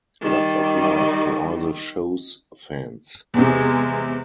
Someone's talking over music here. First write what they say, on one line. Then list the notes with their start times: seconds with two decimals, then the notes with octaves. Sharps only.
Lots of love to all the shows fans.
0.21 D#3 G3
3.34 E2 C3 G#3